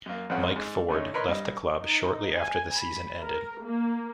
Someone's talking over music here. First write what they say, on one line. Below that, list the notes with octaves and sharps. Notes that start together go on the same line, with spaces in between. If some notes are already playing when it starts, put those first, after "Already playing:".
Mike Ford left the club shortly after the season ended.
F#2 A#3
A1 F2 F3 C4 C#4 F#5
G#2
D3 A3 C#4 D#4
A#4 B4 C#5 D#5 B5 C6
G2 D#5
D#4
G#5
B5
A#4
A#3